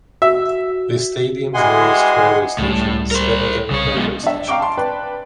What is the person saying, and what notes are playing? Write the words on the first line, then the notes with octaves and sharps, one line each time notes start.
The stadium's nearest railway station is Stellingen railway station.
F#4 E5
E3 G3 G#3 F#5 G#5 C6
C#2 A2 G3
A#4 C5
C2 C#3 C#5
F#2 B2 G#3
D4 E5
F5 G5 A#5 C#6 D6 D7
A5 C6
B4 D5 G5 A5